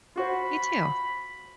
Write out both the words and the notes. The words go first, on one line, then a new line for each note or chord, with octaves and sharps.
Me too.
F4 F#4 C5 B5